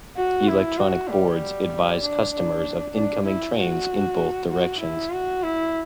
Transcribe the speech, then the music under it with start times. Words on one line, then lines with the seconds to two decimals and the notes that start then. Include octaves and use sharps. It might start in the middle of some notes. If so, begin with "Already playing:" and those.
Electronic boards advise customers of incoming trains in both directions.
0.17 F#4
0.47 E4
0.78 F#4
1.09 G3
2.02 D4
2.33 D4
2.95 D4
3.26 E4
3.57 F#4
4.49 F#4
4.81 E4
5.11 F#4
5.43 E4